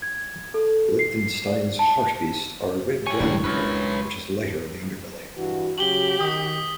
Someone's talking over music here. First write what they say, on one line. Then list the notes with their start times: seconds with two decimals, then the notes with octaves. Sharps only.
Lichtenstein's hartebeest are a red brown colour, which is lighter on the underbelly.
0.02 G#6
0.54 A4
0.99 C7
1.47 D5
1.79 A5
3.07 G4 C#5 G#5
3.20 D#1 C#2 D4 E4
3.44 C#2 F#2 B4 C#5
5.38 G2 E3 F#4
5.78 C#3 F#3 F#4 G4 F#7 G7
6.21 D#3 D#6 B6